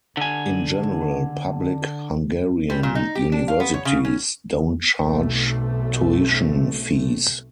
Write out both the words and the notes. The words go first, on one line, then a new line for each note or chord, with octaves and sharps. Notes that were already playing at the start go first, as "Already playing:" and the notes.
In general, public Hungarian universities don't charge tuition fees.
D3 G#5
G3
A#2
D#4
G4
D4
F5
B3
C#5
C#3
C#4
B1 A3 C4